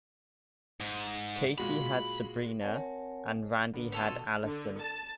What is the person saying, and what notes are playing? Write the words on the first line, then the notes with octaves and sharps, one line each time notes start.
Katie had Sabrina, and Randy had Allison.
G#2
A#2 G#3 F#4 B5
C4 A#4 C#5 F#5 G#5 A5
D3 A#3 B3
F4 A4 C#5
B2
D3
A5